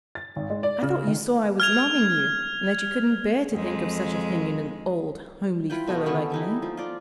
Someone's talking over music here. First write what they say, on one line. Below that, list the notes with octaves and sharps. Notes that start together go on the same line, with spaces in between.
I thought you saw I was loving you and that you couldn't bear to think of such a thing in an old, homely fellow like me.
A6
G#1
G#3
D5
C#3
D#3
F6 G#6 F7
F2 G#3
E4 F4 B4 G5
B2 A3 D#5
D3 B3 C#4 A4
G3 D#4 E4
F3
F4 D5